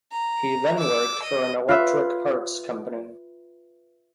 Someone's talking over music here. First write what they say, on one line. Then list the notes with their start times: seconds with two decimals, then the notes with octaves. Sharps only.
He then worked for an electric parts company.
0.12 A#5
0.79 D6 E6
1.24 D#5
1.69 F4 B4 E5